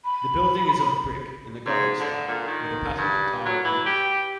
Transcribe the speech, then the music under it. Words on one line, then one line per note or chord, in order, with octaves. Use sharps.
The building is of brick, in the gothic style, with a patterned tiled roof.
B5
G#2
D3
A#2
D#3
G2
F#3
E3
G4